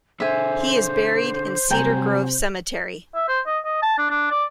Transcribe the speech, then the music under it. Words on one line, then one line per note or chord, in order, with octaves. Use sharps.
He is buried in Cedar Grove Cemetery.
D4 G#4 A4 C5 E5 G#5
C3 F#3 G3 G5 G#5 A#5
E5
C5
D#5
D#5
A5
D4
D4
D5